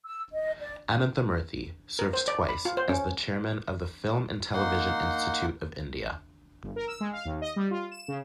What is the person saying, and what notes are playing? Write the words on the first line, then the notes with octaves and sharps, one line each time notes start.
Ananthamurthy served twice as the Chairman of the Film and Television Institute of India.
E6
D#5
D5
A#4
C5
D5
B5
F4
C5
C#4
A#3 D#4 F#5 C6
G1
A#4
E6
G#3
F5
D#2
D#5
G3
F4
E7
C#3